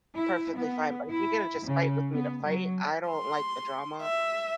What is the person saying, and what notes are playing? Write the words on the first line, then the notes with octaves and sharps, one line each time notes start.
perfectly fine, but if you're gonna just fight with me to fight, I don't like the drama.
E4
B3
E4
C#3
B3
F#3
C6
E5